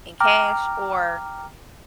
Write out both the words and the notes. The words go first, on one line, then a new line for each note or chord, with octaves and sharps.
in cash or
G5 A#5 D6 F6